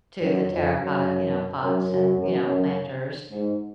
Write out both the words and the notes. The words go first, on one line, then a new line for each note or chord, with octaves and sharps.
to the terracotta, you know, pots and, you know, planters,
F#2
F2
F#2
F#2
F#2
F#2
F#2
G#2